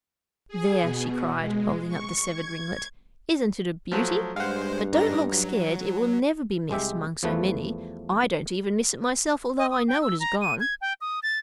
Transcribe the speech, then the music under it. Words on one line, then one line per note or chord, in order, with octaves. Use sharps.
"There," she cried, holding up the severed ringlet, "isn't it a beauty? but don't look scared, it will never be missed among so many; I don't even miss it myself, although I know it is gone."
G#4
B2
G#3
C#6
G#6
F3 F#3 A3
G2 G#3 C5 F5 F#5
G#2 D4 D#4 A#5 A#6
F#3
C2 G#3 G4 E5
E2 F3 G3 A3 B4
D#5
D#6
G5
E6
A#5
D#7
G#6
G5
D#6
A6